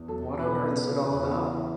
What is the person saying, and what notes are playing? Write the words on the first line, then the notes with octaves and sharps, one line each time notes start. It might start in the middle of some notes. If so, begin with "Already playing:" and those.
What on earth's it all about?
Already playing: E2
F#3 A4
B2 B4
C#3
E2
E3